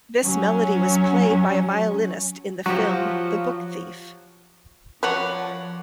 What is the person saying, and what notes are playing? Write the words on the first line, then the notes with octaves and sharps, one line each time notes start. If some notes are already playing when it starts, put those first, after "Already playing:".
This melody was played by a violinist in the film "The Book Thief".
F#3 C#4
F3 F#3 F#4 G4
F3 F#4 A4 B4 C#5 D5 F#5